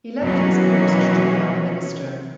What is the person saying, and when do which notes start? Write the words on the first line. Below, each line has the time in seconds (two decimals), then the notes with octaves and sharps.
He left this post to become the minister.
0.21 B2 D#3 E3 F#3 A#3 C#4